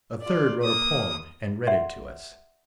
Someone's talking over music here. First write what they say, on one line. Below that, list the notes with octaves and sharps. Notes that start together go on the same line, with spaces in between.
A third wrote a poem and read it to us.
F4 D5
A#3 D#6
D5 E5 F#5 C6